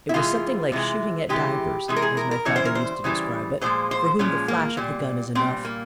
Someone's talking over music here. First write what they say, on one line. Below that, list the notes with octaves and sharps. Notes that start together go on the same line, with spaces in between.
It was something like shooting at divers--as my father used to describe it--for whom the flash of the gun is enough.
E4
C3 E3 G#3 F4
C3 E3 G#3
C3 E3 G#3 G4
C3 E3 G#3
A#4
G#4
A#4
A#4
C#3 E3 G3 C#5
C5
A#4
C5
C#3 E3 G3
A#2 F3 G#3 C5
C5
A#2 F3 G#3 C#4
A#3
A#2 G3
A#2 G3 C4
A#3